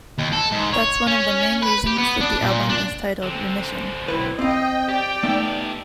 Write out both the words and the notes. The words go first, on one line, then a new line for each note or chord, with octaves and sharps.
That's one of the main reasons that the album is titled Remission.
D#2
A4
G#2
C#5
C#4
B4
G4
B3
D4
A#2
D4
D3 C4
B1 E4 B4
C4 D#5 F5 G5
G4 D5
A3 B3 D#4 G4 A4